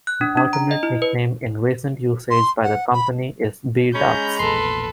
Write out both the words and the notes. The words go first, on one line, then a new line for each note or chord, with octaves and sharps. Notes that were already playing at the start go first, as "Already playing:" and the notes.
An alternate nickname in recent usage by the company is B-Dubs.
F#6
D4
D4
A#5
D#5
E4
B4
C6
F#5
B5
G#3 C#4 A#5 B5 G6
E1 A#1 A4 B4 C6